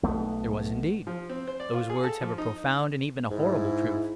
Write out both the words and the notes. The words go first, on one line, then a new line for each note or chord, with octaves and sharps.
There was indeed. Those words have a profound and even a horrible truth.
B1 A3 B3
F3
C4
C5
D5
F4
G#4
A4
F3
D#4
G#2 E4